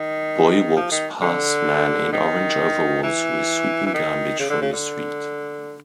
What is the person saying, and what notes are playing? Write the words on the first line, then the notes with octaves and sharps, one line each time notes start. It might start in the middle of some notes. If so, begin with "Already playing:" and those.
Boy walks past man in orange overalls who is sweeping garbage from the street.
Already playing: D#3
F3
D#3
D3
D#3
E3
E3
D#3
C#3
D3
C#3
D3